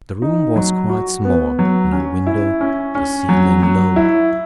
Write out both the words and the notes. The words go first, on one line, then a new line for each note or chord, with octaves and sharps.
The room was quite small; no window; the ceiling, low.
D#4
F#3
F#4
B3
F#3
C#4
E4
C#4
C#4
F#3
F#3
E4